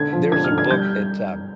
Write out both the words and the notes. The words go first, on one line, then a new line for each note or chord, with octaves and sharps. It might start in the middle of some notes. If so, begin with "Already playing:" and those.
there's a book that, uh,
Already playing: D3 G#6
F3
D3 G#6
F6
D3
G#6
G3 G6